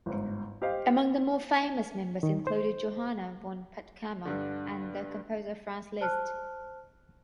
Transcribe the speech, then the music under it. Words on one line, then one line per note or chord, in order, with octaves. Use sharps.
Among the more famous members included Johanna von Puttkamer and the composer Franz Liszt.
G1 G#2
G4 C5 D#5 F5
D#3
C5
G2 D3
C5 A5 F6 F#6